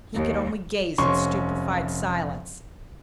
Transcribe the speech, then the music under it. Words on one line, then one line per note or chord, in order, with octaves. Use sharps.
He could only gaze in stupified silence.
D#2
F1 C#4 C6 C#6